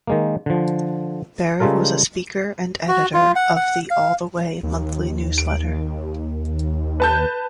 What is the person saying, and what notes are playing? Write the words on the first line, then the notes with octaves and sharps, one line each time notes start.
Barrett was a speaker and editor of the "All The Way" monthly newsletter.
D#3 G#3 A#3
D3 F3
C#3 G3 G#3 F4 A4 A#4
F#4
F4
F#5
F#5
F5
D#2
D7
B4 A5 G6